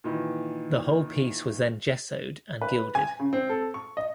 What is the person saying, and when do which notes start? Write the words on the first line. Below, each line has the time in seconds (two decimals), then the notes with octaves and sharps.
The whole piece was then gessoed and gilded.
0.04 A#2 D#3 E3
2.61 B4
2.95 G#5
3.20 C#3
3.33 C4
3.49 A4
3.74 C#6
3.97 D#5